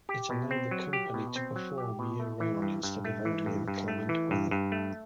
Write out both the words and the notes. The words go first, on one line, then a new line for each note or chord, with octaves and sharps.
It allowed the company to perform year round instead of only in clement weather.
G4
B2
C4
F#3
G4
B2
C4
F#3
G4
B2
A3
E3
G2
G2
A3
E3
G2
G2
A3
E3
G2
G2
A3